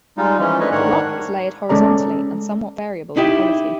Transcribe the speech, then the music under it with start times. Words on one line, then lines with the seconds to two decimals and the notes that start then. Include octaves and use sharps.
The rock is layered horizontally, and somewhat variable in quality.
0.17 G3 G#3 D#4 F4
0.39 E3 F3 G#3 C#4
0.60 A3 D4 B4 C#5 D#5
0.72 G#2 D#3 D4 C#5 F#5
1.69 G#3 C#4 A4 D5 A#5
3.17 D#4 E4 G4 E5